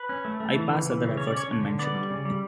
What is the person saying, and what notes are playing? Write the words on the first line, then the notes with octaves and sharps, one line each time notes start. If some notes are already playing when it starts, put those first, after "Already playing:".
I pass other efforts unmentioned.
Already playing: B4
C#4
A3
A3
E3
C#3
E3
C#3
C#4 C#5
D5
C#4 C#5
D3
D3
B3 D5
G3
C#3
G3